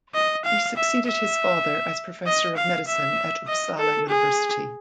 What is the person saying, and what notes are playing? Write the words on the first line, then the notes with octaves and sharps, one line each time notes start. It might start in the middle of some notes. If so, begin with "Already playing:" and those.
He succeeded his father as professor of medicine at Uppsala University.
D#5
F5
E5
E5
D#5
F5
E5
D#5
A4
G#4